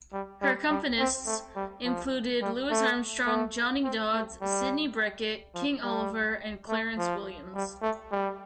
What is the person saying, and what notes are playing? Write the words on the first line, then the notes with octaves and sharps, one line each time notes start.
Her accompanists included Louis Armstrong, Johnny Dodds, Sidney Bechet, King Oliver, and Clarence Williams.
G3
G3
G3
C4
A3
G3
F3
G3
A3
A3
C4
A3
G3
F3
G3
A3
F3
G3
A3
G3